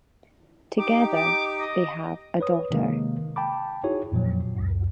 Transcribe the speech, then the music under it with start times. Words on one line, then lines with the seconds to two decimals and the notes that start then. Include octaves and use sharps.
Together they have a daughter.
0.78 D#4 G4 D6
1.14 D6
1.58 D#5
2.40 B4 C#5 D#6
2.71 C3 D#3 G#3 A#3
3.36 G5 A5 B5 D6
3.83 D#4 E4 F#4 G#4 C#5
4.12 F2 A#2 F3 F#3
4.55 C#2 F#2